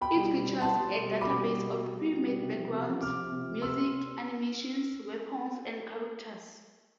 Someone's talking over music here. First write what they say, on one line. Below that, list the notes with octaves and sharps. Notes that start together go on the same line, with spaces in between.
It features a database of pre-made backgrounds, music, animations, weapons and characters.
B2 G5 B5
G3
B2
G3
B2 A5 C6
G3
B2
G3
B2 B5 D6
G3
B2
G3
B2
G3
B2
G3
C3
F3
C3
F3
C3 D6 F6
F3
C3
F3
C3 C6 E6